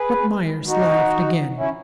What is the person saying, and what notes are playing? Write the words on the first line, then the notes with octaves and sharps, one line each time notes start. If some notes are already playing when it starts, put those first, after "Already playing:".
But Myerst laughed again.
Already playing: G#4 B4
D#4 F#4
C#4 E4